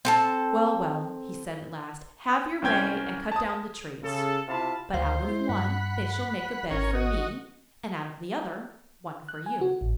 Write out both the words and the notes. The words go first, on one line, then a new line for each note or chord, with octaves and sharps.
'Well, well,' he said at last, 'have your way and cut down the trees; but out of one they shall make a bed for me, and out of the other, one for you!'
C4 A4 A5
C2 C4 C#4 G5 G#6
A5 D#6
C#3 A4
C3 E4 F4 F5 A5 B5
D2 C5 F5
G#3 E4
G2 F#5 B5
G#1 C#4 A#4 C#5
F#4 D#5
F#6
G#5
F#4
A1